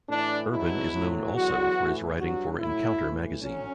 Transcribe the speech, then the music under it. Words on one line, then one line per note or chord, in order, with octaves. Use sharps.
Urban is known also for his writing for "Encounter" magazine.
A2 E3 D4
E2 B2 F#3 E4
A2 F#3
E2 D3 F#3 F#4
A2 E3
G2 F#3 F#4
A2 F#3 E4
A2 E3
D3 F#3 C#4